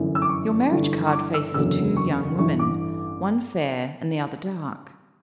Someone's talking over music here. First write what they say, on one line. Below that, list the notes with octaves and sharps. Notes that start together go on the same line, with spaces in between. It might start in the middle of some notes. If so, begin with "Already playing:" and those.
Your marriage-card faces two young women, one fair and the other dark.
Already playing: G1 F#2 E3
E6
D6
C#6
G1 G2 E3
C#6
D6
E6
F#1 E2 D3 F#3 E6
C#6
A1 G2 E3 C#6
D6